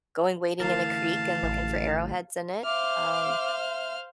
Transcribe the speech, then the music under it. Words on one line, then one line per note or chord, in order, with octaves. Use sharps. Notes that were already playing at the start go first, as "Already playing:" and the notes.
going wading in a creek, and looking for arrowheads in it, um,
D2 E3 A#4 F5 A5
A1
C5 E5 F5 D6 F6